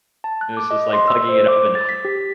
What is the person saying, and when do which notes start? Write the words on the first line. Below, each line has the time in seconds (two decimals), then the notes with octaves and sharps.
this is like plugging it up and h
0.24 A5
0.41 F#6
0.57 D6
0.71 D#5
0.93 C6
1.08 E6
1.29 C5
1.48 D6
1.75 A6
1.89 B6
2.05 G4